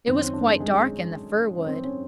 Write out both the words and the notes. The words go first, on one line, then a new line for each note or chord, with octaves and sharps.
It was quite dark in the fir wood.
F#2 D#3 C4
C#4
D4
G#3
G#3
C#4
C4
C#4